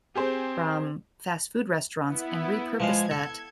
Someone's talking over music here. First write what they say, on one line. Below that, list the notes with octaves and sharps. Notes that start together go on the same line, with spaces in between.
from fast food restaurants and repurpose that
C4 G4 G#4 C5
B3 E4
F3 G#3 F5 G#6
A4